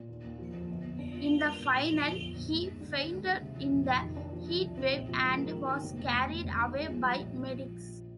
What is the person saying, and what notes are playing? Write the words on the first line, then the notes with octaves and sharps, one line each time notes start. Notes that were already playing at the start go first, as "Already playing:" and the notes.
In the final, he fainted in the heatwave and was carried away by medics.
Already playing: A#2
D#2
D#2
F3
F2
G1
G1
D4
F4
A#3
G2
A#2
A#2
F2
G1
A#1
A#1
G#2
D#4
D3
D#2
G#3
D#3
C3
F2
A#1
D#4
D#3
D4
F3
C3
C2
C4
A#1
F3
G#2
A#3
D#3
D#3
F1
F1
D2
D2
G#1
D#3
G#3
F3
G3
A#1
A#1
F3